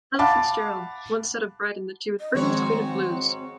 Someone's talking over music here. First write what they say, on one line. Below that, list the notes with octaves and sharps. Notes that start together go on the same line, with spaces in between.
Ella Fitzgerald once said of Bryden that she was "Britain's queen of the blues".
F5 F#5 A5 B5 D6
D#5
G#2 D#3 F3 G#3 C4 F#4 C#5